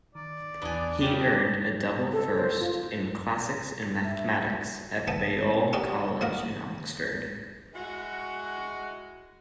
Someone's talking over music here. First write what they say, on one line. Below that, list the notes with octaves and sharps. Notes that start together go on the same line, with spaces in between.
He earned a double first in Classics and mathematics at Balliol College, Oxford.
D#3 D5
A1 E2 E3 B3 D4 G#5
C#3 D4 G4 C6
A4
C5
F4
E5
F#4
B3 A4 E5 G#5 A5
C#4 D#4 F#4 G4 D5
F#3 A#3 F#4 A#4 D#5
G#3 E4 F#4